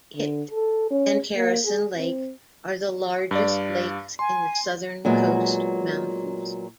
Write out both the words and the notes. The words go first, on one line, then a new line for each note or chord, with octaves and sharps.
It and Harrison Lake are the largest lakes in the southern Coast Mountains.
D3
A4
C#4
A#3
G#4
C4
G2 D5 F5
G#5 C6
A#2 F#3 G#3 B3